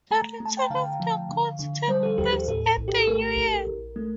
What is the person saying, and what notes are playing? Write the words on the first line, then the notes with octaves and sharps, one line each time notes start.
The return of the ghosts takes place at the New Year.
A3 A#5
A3
A5
G5
D3 F5
F3
D3
D3
G3 C5
A4
D#2 G4
G4
A2 A4
A#1
G4
A4
A3 A#4
A#1
A#1
A3